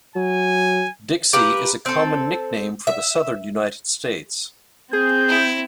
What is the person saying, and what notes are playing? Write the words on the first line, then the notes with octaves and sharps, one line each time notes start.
"Dixie" is a common nickname for the southern United States.
F#3 G#5
G4 A#4 B4 F5
C4 A4
E5
C4 G#4 G6
E4